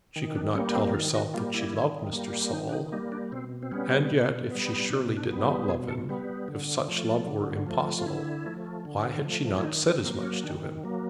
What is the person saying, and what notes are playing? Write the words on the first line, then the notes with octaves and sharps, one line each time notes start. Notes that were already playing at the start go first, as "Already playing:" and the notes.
She could not tell herself that she loved Mr. Saul; and yet if she surely did not love him--if such love were impossible--why had she not said as much to him?
D#3
D4
G3 A#3 C#4
C4
D#3 F4
F#4
G3 A#3 F4
E4
D#3
G3 A#3
D#3 D#4
D4
D#4
G3 A#3 D#4
D4
B2 C4
C4
G3 B3 C#4
B2
G3 B3
B2 D4
D4
G3 B3
D#4
B2 G#4
A4
G3 B3
D3
F3 A3
D3
F3 A3
F4
D3 E4
F3 A3
D3
F3 A3
E4
D#3 D#4
D4
F#3 A#3 C4
C#4
D#3 D4
F#3 A#3